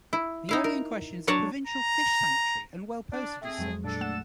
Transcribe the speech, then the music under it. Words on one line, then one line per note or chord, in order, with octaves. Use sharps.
The area in question is a provincial fish sanctuary, and well posted as such.
E4
D#4 E4 F5
A#4
F#3 D4 C#5 D5 A5 A#5
A#5
D4
A3 C4 G#4
F2 F#3 G#3
A#2 D4 A4
A3 F#5 E7